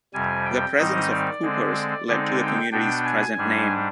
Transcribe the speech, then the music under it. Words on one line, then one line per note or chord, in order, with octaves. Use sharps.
The presence of coopers led to the community's present name.
F2 C3 G3 G#5
G5
G#2 D#3 G3 C4 D#4 D#5
D5
D3 G#3 C4
D3 G#3 C4 D#4 D5
G5
B2 B3 D4 G5
G#5
G#2 G3 D4